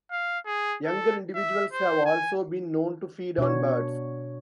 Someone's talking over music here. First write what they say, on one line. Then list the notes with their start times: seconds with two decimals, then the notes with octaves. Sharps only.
Younger individuals have also been known to feed on birds.
0.11 F5
0.46 G#4
0.86 A4
1.35 E5
1.73 C5
2.05 G#5
3.38 B2 D4 F#4 C#5